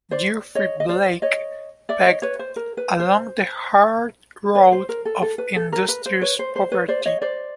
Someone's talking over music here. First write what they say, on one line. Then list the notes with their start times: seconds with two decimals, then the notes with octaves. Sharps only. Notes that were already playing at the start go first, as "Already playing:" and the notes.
Geoffrey Blake pegged along the hard road of industrious poverty.
0.11 C5 D5
0.55 C#5 D#5
0.80 D#5
0.89 C5 D5
1.22 C#5 D#5
1.89 D5 E5
2.06 C#5 D#5
2.22 B4 C#5
2.39 C5
2.56 A#4
2.77 B4
3.00 C5
4.55 B4 C#5
4.72 C5
4.89 A#4
5.05 A4
5.22 A4
5.38 B4
5.56 A4
5.72 A#4
5.88 B4
6.06 C5
6.21 B4 C#5
6.39 C5
6.56 C5
6.72 B4 C#5
6.88 C5 D5
7.05 C#5 D#5
7.22 C5 D5